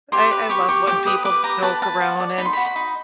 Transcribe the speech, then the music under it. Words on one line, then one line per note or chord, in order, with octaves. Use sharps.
I I love when people joke around, and
G4 C6
B4
G4 C#6
G4 C#6
G4 D6
B4 D#6
B4 D6
G4 A#5
B4 A5
B4 A5
F#4
D5
D#4 B5
C6
B5
F#4
B5
D#4